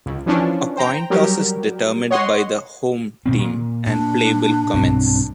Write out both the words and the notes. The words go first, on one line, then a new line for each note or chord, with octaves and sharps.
A coin toss is determined by the 'home' team and play will commence.
C#2
E3 F3 C#4 D4
C5 G5 A#5
F#3 G3 G4 A#4
C#5 D#5 F#5 C6
B2 D#3 C4
A#2
A#2 D4
B1 G2 C4